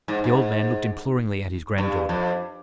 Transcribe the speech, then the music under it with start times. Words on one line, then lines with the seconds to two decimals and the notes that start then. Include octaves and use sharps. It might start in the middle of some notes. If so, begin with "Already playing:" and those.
The old man looked imploringly at his granddaughter.
0.08 G#2
0.24 G#2
1.78 G2
2.09 F2